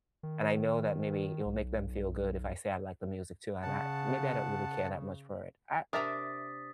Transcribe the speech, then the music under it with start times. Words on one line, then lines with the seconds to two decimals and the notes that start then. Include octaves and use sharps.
and I know that maybe it will make them feel good if I say I like the music too, and I maybe I don't really care that much for it, I
0.23 D#3
1.46 B1
3.62 C#3 F#5 A5
5.93 C3 D4 A#4 E5 A#5 D#6 A6 B6